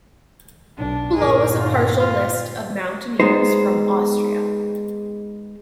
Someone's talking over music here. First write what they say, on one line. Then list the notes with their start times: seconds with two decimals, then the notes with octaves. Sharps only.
Below is a partial list of mountaineers from Austria.
0.77 B1 D4
1.15 G2 A#2 D3 G#4 A#4
1.55 D#4 F4
1.98 F4
3.20 G#3 B3 D#4 C5